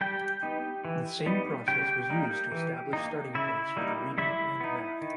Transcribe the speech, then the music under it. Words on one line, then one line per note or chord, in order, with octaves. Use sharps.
The same process was used to establish starting points for reading and math.
G3 G4 G5
B3 D#4
E3
G3 B3 D#4
C#3 G4 G5
G3 A#3 D#4
E3
A#3 D#4
C#3 E4 E5
G3 A#3 D#4
G3 E4 E5
B3 D#4
D#3